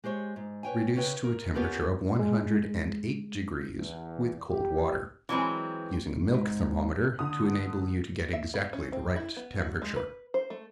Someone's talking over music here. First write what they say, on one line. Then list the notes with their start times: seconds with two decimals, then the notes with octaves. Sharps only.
Reduce to a temperature of one hundred and eight degrees with cold water, using a milk thermometer to enable you to get exactly the right temperature.
0.04 G#3 G4 C5 C#5
0.36 G#2
0.63 B4 C#5 G5 G#5
0.96 C#3 C#4 B4 G5
1.24 A#4
1.54 B3 C#4 F4 G4 A#4 B4
2.19 G#3
3.78 E2
4.48 G4
5.29 E3 F#3 G#3 C4
6.34 G#2
7.19 D3 D#6
8.33 E5
8.54 B3
8.73 C#4
8.92 C4
9.16 E4
9.36 B3
9.60 F#4
9.82 G#3
9.96 B4
10.34 C5
10.50 A3